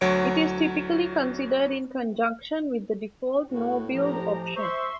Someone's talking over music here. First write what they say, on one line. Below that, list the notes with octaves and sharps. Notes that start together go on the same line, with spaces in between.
It is typically considered in conjunction with the default "no-build" option.
D2 F#3 C#5 D7
A2 F#4
F3 G4 A#5
C5 E5 C6 C#6